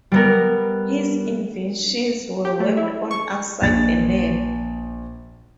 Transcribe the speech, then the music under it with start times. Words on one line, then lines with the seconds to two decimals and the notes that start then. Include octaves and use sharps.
His inventions were worked on outside a lab.
0.12 G3 B3 A#4
2.45 G4
2.60 A3
2.77 E4
3.11 C#6
3.61 A#1 A6